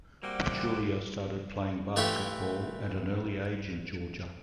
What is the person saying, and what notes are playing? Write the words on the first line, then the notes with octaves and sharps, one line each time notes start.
Pachulia started playing basketball at an early age in Georgia.
G3 A#3 C4 F#4 F#5 D6
E3 A3 F4 G4 E5 C#6